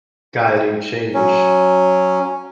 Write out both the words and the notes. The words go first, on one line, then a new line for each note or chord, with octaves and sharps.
guiding change,
F#3 C#4